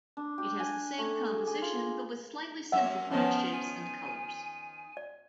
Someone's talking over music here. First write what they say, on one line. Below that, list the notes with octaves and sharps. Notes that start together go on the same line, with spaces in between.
It has the same composition but with slightly simplified shapes and colors.
D4
G4
G#5
A3
G#4
G#4
F4
F#2 C#4 E5 F#5
D#3 F3 B3 C#4 D#5 A5
G#5
D5